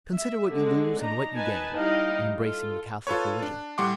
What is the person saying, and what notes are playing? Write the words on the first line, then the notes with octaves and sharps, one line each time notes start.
Consider what you lose and what you gain in embracing the Catholic religion.
E5
D3 G#3
D4 D#4 A#5
D#4 B4 G#5 A5
G3 D#4 E4 D#5 F5 G5
F4 A4
F4 A4 B4 C#5
D4
A2 G3 F#5 C6 D6